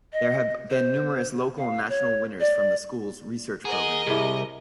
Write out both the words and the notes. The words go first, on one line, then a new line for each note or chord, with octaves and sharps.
There have been numerous local and national winners from the school's research program.
D#5
C5
F5
C#5
D5
G#4 A#4 D#5 F#5
C2 E4 G4 G#4